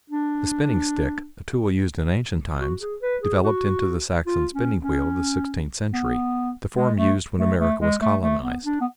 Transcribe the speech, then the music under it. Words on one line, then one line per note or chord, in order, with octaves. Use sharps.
The spinning-stick, a tool used in ancient times, developed into the Saxon spinning-wheel of the sixteenth century, the form used when America was colonized.
D4
F#4
G#4
B4
G#4
F#4
F4
C#4
C#4
B3
G#3
A3
A3
A3
G#3
A3
A3
B3
D4
B3